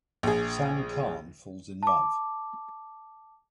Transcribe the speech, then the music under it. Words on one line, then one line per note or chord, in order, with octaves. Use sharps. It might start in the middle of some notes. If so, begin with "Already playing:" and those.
Sam Carne falls in love.
A#1 G#4
A5 D6